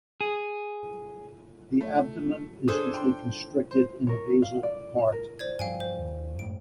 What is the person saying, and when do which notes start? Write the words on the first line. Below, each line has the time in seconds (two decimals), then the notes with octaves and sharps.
The abdomen is usually constricted in the basal part.
0.21 G#4
1.81 A3
2.68 D4 G#4 A4 C5 D#6
2.94 G5 C6
3.71 C5
4.07 A#4 C#5
4.42 F5
4.63 D5
5.12 A#4
5.39 C5 D5 G#6
5.59 G2 F3 F#3 F5 G5 G#5
5.80 C5
6.02 D#2
6.39 F#2 A2 D7